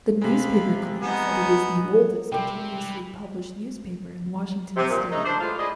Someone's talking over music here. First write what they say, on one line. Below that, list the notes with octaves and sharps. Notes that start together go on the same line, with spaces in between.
The newspaper claims that it is the oldest continuously published newspaper in Washington state.
C3 G#3 F5 B5
B3 D#4 G#5
C3 G3 C4 G4 G5
E3
C3
A#2
G#3 A3 D#4
D4 C5
A2 G#3 F4
E4 G#4 D5 D#5